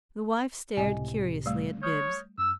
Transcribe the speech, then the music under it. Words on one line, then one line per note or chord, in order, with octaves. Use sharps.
The wife stared curiously at Bibbs.
C#2 A2 C3 D#5 G#5
G3 A3
C#5 D#6 F6 G6
F#2 E6 F6